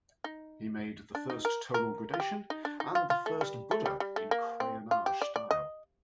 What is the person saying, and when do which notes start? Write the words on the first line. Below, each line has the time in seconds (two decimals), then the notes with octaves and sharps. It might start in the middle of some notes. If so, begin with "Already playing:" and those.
He made the first tonal gradation, and the first Buddha in crayonnage style.
0.24 D#4
1.15 D4
1.30 D#4
1.45 A#4
1.74 A#4
2.14 F4
2.20 G4
2.50 D#4
2.65 D4
2.80 D#4
2.95 F4
3.10 F4
3.26 A3
3.41 G3
3.71 A3
3.86 G3
4.00 G3
4.16 A3
4.31 A#3
4.60 C4
4.91 F4
5.06 G4
5.22 D5
5.36 D5
5.51 D#5